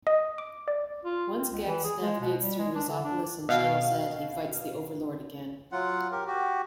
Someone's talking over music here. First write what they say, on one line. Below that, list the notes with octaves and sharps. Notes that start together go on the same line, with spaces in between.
Once Gex navigates through Rezopolis and Channel Z, he fights the overlord again.
D#5
D6
D5
F4
C4
C#2
E3
G#4
G#3
B2
G3
G#3
D4
D3
D4
B2 F5
F#3 F4 F#5
G4 A#4
F#4 G4